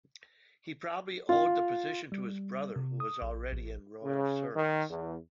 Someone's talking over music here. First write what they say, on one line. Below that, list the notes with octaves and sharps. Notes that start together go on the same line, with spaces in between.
He probably owed the position to his brother, who was already in royal service.
F4
G3
C3
D#6
A#1
A1
C#3
D#3
E2